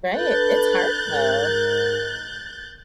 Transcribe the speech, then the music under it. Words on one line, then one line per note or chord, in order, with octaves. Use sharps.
Right, it's hard, though.
D4 A4 B4 F#6 G6 A6
G#2 A#4